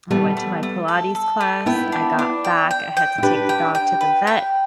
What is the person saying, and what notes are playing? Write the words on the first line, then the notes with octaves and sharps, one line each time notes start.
I went to my Pilates class, I got back, I had to take the dog to the vet,
G3 A3 B3
A3
A3
A4
A4
A3
B3 E4 G5
D4
D4
G5
G5
G5
E4
D4 G4 B4
G5
G5
B4
G5